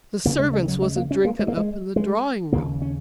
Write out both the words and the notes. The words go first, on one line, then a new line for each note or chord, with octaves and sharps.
The servants was a drinkin' up in the drawingroom.
D#2 C#3 A#3
G#3
G#3
F#3
G#3
A#3
C#4
A#3
G#3
A#3
G#3
G#3
D#2 C#3 A#3
C#4